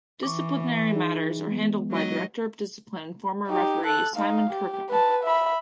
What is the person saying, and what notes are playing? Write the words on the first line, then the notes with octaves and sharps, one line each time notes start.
Disciplinary matters are handled by Director of Discipline and former referee Simon Kirkham.
E3 C#6 D6
D#4 G#4
G#3 B3
F#3 D#4 D#5
D#4 G4
A4 F#6
D#4 F5
G4
B4 A5
E5 B5